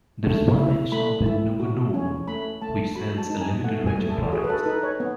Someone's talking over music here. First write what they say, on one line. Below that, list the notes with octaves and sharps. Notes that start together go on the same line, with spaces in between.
There is one main shop in Nukunonu which sells a limited range of products.
A3
E4
A3 B5
E4
F#4
C#4
A3 B5
A3 A5
F#4 B5
A5
D#4
G#5
A3 F#5
G#5
A3
A4
F#4 G#4
B4
A4
D#4 B4
C#5
B3